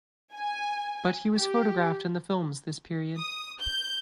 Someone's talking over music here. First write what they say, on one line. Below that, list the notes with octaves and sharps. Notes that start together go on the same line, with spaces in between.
But he was photographed in the films this period.
G#5
G4
D#6
G6